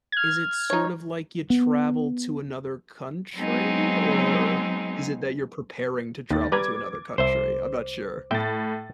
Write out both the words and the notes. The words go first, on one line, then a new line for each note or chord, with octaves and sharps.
Is it sort of like you travel to another country, or, is it that you're preparing to travel to another country? I'm not sure.
F6 G#6
D#4 C#5
B3
F#3 G#3 B3 C4 D#4 G#4
D#2 D#3 A6
G3 B4 A#5 D6 G#6
C2 C5 E5
A2 E5 G5 A6